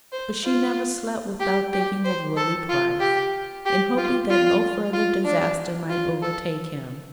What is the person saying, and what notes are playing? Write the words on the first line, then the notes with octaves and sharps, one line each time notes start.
But she never slept without thinking of Willie Price, and hoping that no further disaster might overtake him.
C5
F4
G4
G4
C5
A4
F4
G4
G4
F4
F4
F4
D4
F4
A4